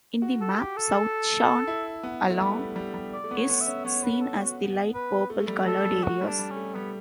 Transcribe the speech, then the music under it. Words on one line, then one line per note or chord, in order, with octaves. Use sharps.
In the map, south Shah Alam is seen as the light purple coloured areas.
F#4
A4
G4
A4
E4
B3
A3
G3 B4
A3
G3
G3
D5
A3
B3
C#5
B3
E5
C#4
B3 C#5
B4
A4
F#4
B4
A3
A3
G3
G3 A4
A3
G3
A3 F#4
G3
D4
G3
C#4
A3
G3 B3